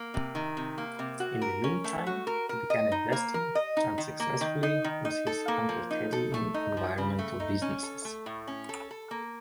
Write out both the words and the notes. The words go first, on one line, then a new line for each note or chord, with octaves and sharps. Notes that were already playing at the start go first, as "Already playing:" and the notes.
In the meantime, he began investing, unsuccessfully, with his uncle Teddy in environmental businesses.
Already playing: A#3
C3
D#3
C3
A#3
C3
F#4
A#4
C#4
A3
F#4
A#4
A#4
D#5
D#4
A#3
A#4
D#5
D#4
D#3
A#3
D#3
D#4
D#3
D#4
A4
A#3
F3
D#4
A4
A3
D#4
F3
C#3
A3
D#4
C#4
A4
A3
A2
C#4
A4
A4
A#3